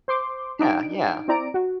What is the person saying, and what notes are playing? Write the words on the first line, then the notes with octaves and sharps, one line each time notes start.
Yeah, yeah.
C5 C6 D6
D4 D#4 D7
C4 E4 D5 A#5 D7
F#4